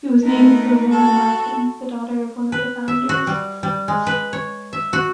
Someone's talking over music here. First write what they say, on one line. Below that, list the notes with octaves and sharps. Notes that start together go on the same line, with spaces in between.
It was named for Laura Martin, the daughter of one of the founders.
A3 B3 D#4 A#4 B4
F#4 A4
B4
E5
F#4
G3
G3
G#3
B4
C#5
E5
F#4